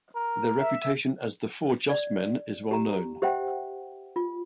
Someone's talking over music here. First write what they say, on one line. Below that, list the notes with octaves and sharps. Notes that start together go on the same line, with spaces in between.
Their reputation as the "Four Just Men" is well known.
A#4
E5
D5
G4 A#5
G4 C5 E5 F#5 G5
F4